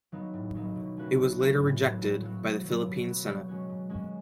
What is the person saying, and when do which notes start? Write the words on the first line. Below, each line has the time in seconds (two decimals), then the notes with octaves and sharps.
It was later rejected by the Philippine Senate.
0.12 F#3 B3 D#4
0.34 A2
0.55 F#3 B3 D#4
0.75 B2
0.97 A3 C#4 F#4 B4
1.18 B2
1.39 A3 C#4 F#4 B4
1.60 A2
1.80 F#3 B3 F#4
2.01 A2
2.23 F#3 B3 F#4
2.43 B2
2.64 F#3 B3
2.86 B2
3.06 F#3 B3
3.27 B2
3.48 G#3 C#4 F#4 C#5
3.69 B2
3.89 G#3 C#4 F#4 C#5